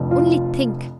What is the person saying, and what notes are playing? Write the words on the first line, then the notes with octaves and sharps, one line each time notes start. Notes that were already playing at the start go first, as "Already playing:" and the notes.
Only think!
Already playing: F1 F2 D3
F4